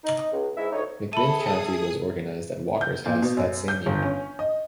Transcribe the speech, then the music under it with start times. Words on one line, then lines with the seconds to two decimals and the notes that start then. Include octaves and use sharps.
McMinn County was organized at Walker's house that same year.
0.04 D#4
0.32 C#2
0.57 E2 G#2 G#3 E4 E5
0.72 D2 D#4 C#5
1.13 G#4 A4 E5 A5 B5 D#6 D#7
2.81 G6
3.06 A#2
3.22 B2
3.37 F#2
3.68 G6
3.86 G1
4.03 C#4
4.39 D#5